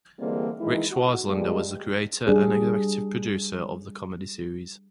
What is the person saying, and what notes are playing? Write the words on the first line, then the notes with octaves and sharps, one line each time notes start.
Ric Swartzlander was the creator and executive producer of the comedy series.
D3 E3 G3 G#3 A#3 C4
D#3 E3 G#3 D#4 E4
F#4
G2 A#2 G3 G#3
G3 D4 G#4